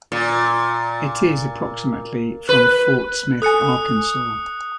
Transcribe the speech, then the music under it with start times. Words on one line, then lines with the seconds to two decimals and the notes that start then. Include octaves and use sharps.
It is approximately from Fort Smith, Arkansas.
0.12 A#2
2.49 B4
3.42 A4 G#5 D#6 F#6 C#7